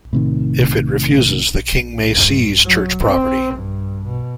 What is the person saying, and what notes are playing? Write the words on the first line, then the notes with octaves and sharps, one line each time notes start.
If it refuses, the king may seize Church property.
A2 C3 D#3
G2
F#3
C4
G2
B2